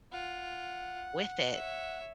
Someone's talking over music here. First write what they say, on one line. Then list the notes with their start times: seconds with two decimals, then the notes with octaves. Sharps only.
with it.
0.13 F4 F#5
1.54 C#5 E5